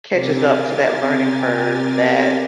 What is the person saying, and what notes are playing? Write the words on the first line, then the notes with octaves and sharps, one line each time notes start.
catches up to that learning curve that,
C3 C4 G4 A#4 G#5 A6